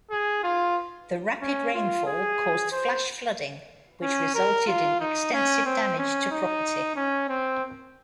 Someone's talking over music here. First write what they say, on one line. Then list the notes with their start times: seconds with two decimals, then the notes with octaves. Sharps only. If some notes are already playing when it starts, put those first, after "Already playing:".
The rapid rain fall caused flash flooding, which resulted in extensive damage to property.
0.11 G#4
0.43 F4
1.41 C#4
1.74 F4
2.06 G#4
2.72 C5
4.02 C#4
4.35 A#4
4.67 F4
5.00 D#4
5.33 C#4
5.65 C4
5.98 C#4
6.31 D#4
6.96 C#4
7.29 C4